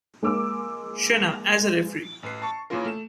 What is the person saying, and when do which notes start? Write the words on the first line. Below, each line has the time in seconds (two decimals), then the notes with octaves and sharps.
Shena as a referee.
0.23 G#3 A#3 A#4 D6 E6
2.23 A1 B4 C7
2.42 A5 C#6
2.70 C#3 E3 A#3 C#4 F4 A#4
2.85 A3 E7